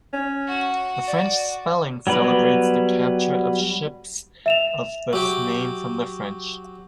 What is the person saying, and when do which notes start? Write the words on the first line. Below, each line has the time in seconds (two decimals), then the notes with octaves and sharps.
The French spelling celebrates the capture of ships of this name from the French.
0.13 C#4
0.47 F#4
1.08 D5
2.07 F#3 G3 B3 B4
4.46 E5 E7 F7
5.13 F#3 G4